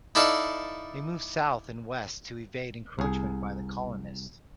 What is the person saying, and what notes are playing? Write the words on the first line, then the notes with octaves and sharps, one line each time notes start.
They moved south and west to evade encroachment by the colonists.
D#4 E4 A4 D5 F5 A5
C2 G#4